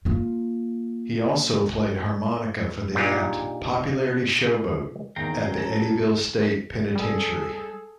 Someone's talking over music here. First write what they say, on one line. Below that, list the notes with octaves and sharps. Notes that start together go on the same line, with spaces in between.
He also played harmonica for the act "Popularity Showboat" at the Eddyville State Penitentiary.
A#3 F4
A#2 D4 D#4 F4 G4 G#4
E2 D#3 A#3 F5 G5 A#5
F#3 C#4 G#6
A4 A5 A#5
G3 G#4 A4